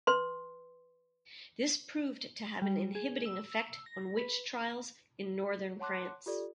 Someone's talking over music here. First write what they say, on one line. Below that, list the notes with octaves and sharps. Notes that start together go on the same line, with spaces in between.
This proved to have an inhibiting effect on witch trials in Northern France.
B4 C6
G3
G#4
E6
A#6
B4
C#5 F#5 A5 C6 D6 F#6
F4 G4 A4 D5